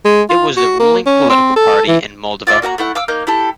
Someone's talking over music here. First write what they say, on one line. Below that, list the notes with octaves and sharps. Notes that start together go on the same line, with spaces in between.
It was the ruling political party in Moldova.
G#3
F4
F#4
A#3
C#4
C4
A4
E3
F4 D5 E5
A#3 F#4 F#5 A#5
A3 E4 F#5
F5 D6 E6
A#3 D#4 G6
E4 G4 A4